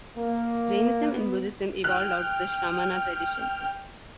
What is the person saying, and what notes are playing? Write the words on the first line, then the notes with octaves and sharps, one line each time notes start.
Jainism and Buddhism evolved out of the Shramana tradition.
A#3
B3
G5 F6 F#6